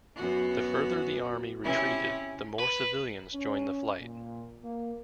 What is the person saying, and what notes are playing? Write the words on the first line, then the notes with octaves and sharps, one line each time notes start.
The further the army retreated, the more civilians joined the flight.
F#2 B3 F#4
C3 C#4 E4
B4
C#4
A#2
A#3